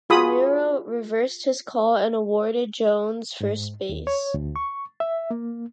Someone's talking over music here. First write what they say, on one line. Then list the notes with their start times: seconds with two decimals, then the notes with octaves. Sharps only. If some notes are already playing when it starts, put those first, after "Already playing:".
DiMuro reversed his call, and awarded Jones first base.
0.10 F4 F#4 G#4 B5 D#6
3.41 G#2
3.89 D#2
4.07 C#5
4.34 D2
4.56 C#6
5.00 E5
5.31 A#3